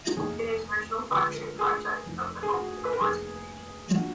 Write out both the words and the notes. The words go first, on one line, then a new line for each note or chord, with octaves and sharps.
It is the original flagship project of the OpenCores community.
F1 D#2 D#3 A#3 D#4 G#4
D3 F3 G#3 B4
A#4
G#4
F1 F2 D#3
G#4
F#4
B4
A#4
F1 D#2 D#3 G#4
F3 A#3 D4 F#4